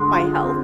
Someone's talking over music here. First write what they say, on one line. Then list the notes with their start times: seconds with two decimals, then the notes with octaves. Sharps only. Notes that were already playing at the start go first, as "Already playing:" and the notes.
my health.
Already playing: D3 G#3 C6
0.13 F4
0.43 C4